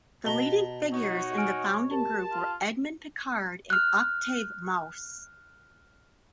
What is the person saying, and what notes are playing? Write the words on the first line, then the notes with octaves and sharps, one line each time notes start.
The leading figures in the founding group were Edmond Picard and Octave Maus.
B2 A5 A#5 G7
D#4 F#4 C#5
G#5 F6 D7
G4 A#4 A5
F4
F6 F#6